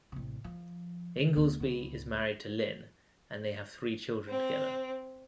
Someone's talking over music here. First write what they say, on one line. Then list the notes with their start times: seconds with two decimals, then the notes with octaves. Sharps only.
Inglesby is married to Lynn and they have three children together.
0.12 A1 C3
0.44 F3
1.16 C#2
1.36 D2 B2
1.60 C#2 B2
4.28 C4